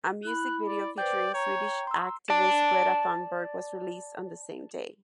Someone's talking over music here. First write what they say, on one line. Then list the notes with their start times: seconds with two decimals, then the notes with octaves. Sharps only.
A music video featuring Swedish activist Greta Thunberg was released on the same day.
0.25 E4 B5 F#6
0.67 D5
0.98 B4 C5 D5 G5 D6 G6
1.34 C#5 A#5
1.87 C6 E6
2.30 D5 A5